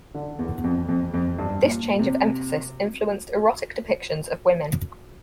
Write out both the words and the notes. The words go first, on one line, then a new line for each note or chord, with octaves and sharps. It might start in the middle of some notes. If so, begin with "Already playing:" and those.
This change of emphasis influenced erotic depictions of women.
D3
E2
F2
F2
F2
G2
A#2
C3